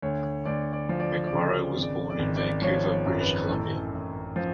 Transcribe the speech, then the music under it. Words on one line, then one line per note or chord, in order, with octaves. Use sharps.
McMorrow was born in Vancouver, British Columbia.
D2 C#5
D2 D5
D5
F3
D5
D5
C#3
D5
G#1
D5
D5
G#1
D5
F3 C#5
C#5
F#2
B4
A1 A4
A1
F3